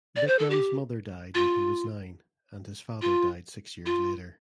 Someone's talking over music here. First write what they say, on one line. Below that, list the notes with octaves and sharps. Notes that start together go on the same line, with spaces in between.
Vikram’s mother died when he was nine and his father died six years later.
D5
C5
A4
G4
F4
F4
F4